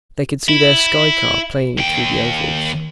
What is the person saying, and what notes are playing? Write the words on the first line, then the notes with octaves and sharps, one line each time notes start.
They could see their sky-car plainly through the ovals.
E4
D#2 G5